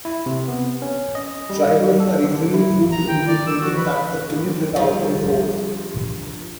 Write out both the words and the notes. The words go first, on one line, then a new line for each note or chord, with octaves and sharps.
Drivers are easily fooled into thinking that the police is out in force.
E4
C3
B3
C#4
D#5
G3
A4
D3
E4
A#5
G5
D5
E6
F#4
B4
D#2
D3 F3 G3